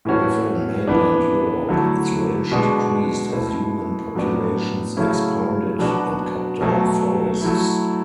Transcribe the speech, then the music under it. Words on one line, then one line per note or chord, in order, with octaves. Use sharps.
Within mainland Europe, its range decreased as human populations expanded and cut down forests.
A2 E3 A3 C#4 F#4
E3 B3 D4
D3 F#3 A3 E4
B2 G#3 D4 F#4
B2 A3 E4
A2 F#3 B3 D4
C#3 F#3 A3 C#4 E4
B2 F#3 B3 D4 F#4
B2 F#3 A3
F#3 A3 E4